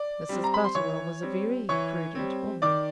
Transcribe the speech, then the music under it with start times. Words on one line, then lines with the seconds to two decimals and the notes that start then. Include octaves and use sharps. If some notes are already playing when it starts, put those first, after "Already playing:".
Mrs. Butterwell was a very prudent woman.
Already playing: D5
0.29 G3 C4
0.44 A#5
0.54 B5
0.64 C6
0.75 E3 C#5 C#6
1.23 G3 C4
1.69 E3 C#5 C#6
2.15 G3 C4
2.62 D#3 D5 D6